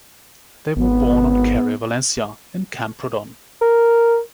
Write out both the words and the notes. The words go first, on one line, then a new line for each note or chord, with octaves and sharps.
They were born on Carrer València, in Camprodon.
G#1 B3
A#4